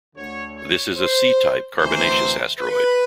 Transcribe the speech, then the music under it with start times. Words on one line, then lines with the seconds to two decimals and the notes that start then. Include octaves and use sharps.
This is a C-type carbonaceous asteroid.
0.15 D2 D3 C#5
0.56 C#5
0.97 C5
1.78 D2 C3 E3 C5
2.59 B4